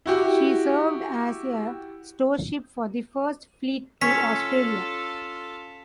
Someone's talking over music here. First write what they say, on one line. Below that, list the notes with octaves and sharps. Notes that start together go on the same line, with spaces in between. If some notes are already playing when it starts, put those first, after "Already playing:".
She served as a storeship for the First Fleet to Australia.
E4 F#4 G4
C#4 F4 A4 B6